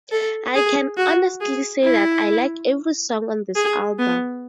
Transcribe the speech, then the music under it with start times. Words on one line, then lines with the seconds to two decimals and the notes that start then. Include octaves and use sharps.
I can honestly say that I like every song on this album.
0.11 A4
0.55 G#4
0.97 F#4
1.41 G#4
1.84 E4
3.56 G#4
3.99 B3